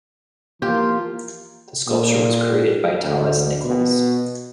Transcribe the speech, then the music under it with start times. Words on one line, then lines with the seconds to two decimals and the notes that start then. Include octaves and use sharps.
The sculpture was created by Thomas Nicholls.
0.62 E3 F3 A#3 F4 G4
1.88 A#2
3.03 D2
3.64 B2